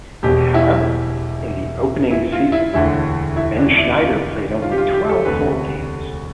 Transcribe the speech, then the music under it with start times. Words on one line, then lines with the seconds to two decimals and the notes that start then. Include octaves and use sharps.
However, in the opening season Benschneider played only twelve full games.
0.23 E1 E2 B2 G4
0.54 E4
2.11 E4
2.32 F4
2.52 E4
2.74 E1 D2 D3 E4
3.36 E4
3.57 D4
3.78 E4
3.99 F4
4.62 F4
4.71 G4
4.78 F4
4.93 G4
5.09 A4
5.25 E1 D2 C3 B4